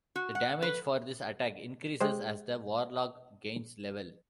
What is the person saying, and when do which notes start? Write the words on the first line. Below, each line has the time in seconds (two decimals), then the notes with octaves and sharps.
The damage for this attack increases as the warlock gains levels.
0.16 F#4
0.35 F#5
0.62 B4
2.01 G#3 G4 C5